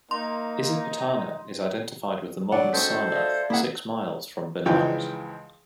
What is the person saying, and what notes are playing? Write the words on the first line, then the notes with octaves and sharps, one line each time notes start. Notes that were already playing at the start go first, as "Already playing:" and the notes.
Isipatana is identified with the modern Sarnath, six miles from Benares.
A#3 D#4 C6
F#3 C#4 D4 D5 F#5
G#3 C#4 D#4 F#4 A4 C5 C#6
D5 E5 F5
A#3 E4 G#4 E5 F#5
C#2 E3 F3 G#3 D#4 G5